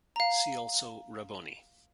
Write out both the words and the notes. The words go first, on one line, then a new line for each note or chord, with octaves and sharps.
See also Rabboni.
F5 A#5